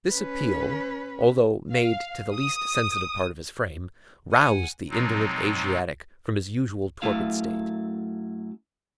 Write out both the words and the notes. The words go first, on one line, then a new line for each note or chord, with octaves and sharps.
This appeal, although made to the least sensitive part of his frame, roused the indolent Asiatic from his usual torpid state.
C#4 B4
F5
D#6
F#5 G#5
B2 F3 F#3 G#3 C4 D#4
F#2 A3 E4 F5